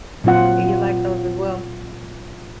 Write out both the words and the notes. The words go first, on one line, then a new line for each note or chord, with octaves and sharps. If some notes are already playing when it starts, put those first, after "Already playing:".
You like those as well?
A#2 F#3 C4 F4 F#5